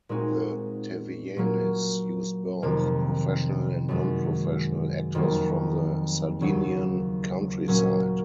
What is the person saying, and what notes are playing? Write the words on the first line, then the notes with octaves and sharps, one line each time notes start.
The Tavianis used both professional and non-professional actors from the Sardinian countryside.
A#2 G#3 C4 D#4 F#4
A#2 F#3 A#3
F2 C3 D#3 A#3
F#2 D#3 G#3
F2 D#3 F#3 A#3
D#2 C#3 F#3
A#2 F#3 A#3 C#4